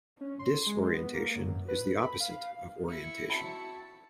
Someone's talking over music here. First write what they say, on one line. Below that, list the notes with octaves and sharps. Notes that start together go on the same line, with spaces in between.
Disorientation is the opposite of orientation.
C#4
C6
G#3
B3
A#3
F#2
B4
B5
F5
E4 C#7
C4 F#4 A5 B5